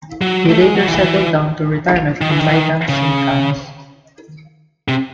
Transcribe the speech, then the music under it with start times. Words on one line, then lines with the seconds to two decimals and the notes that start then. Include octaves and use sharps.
He later settled down to retirement in Lytham Saint Annes.
0.22 F#3
0.49 A3
0.62 G#3
0.75 F#3
0.88 E3
2.21 D#3
2.30 E3
2.39 D#3
2.48 E3
2.56 D#3
2.89 C#3
4.88 C3